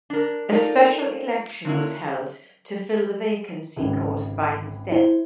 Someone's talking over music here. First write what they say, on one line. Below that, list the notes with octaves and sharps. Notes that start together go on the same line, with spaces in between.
A special election was held to fill the vacancy caused by his death.
D4 A#4
D#4 F4 A4 A#4 D5
D3 A#3 C#4 E4 F#4
G#1 C#2 C#3
E4 C5 G7